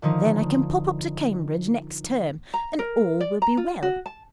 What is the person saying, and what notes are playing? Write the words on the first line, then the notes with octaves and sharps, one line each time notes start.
Then I can pop up to Cambridge next term, and all will be well.'
D3 D#3 F3 D#4
A#5
A#4
D5
A#5
F4
F#4
A5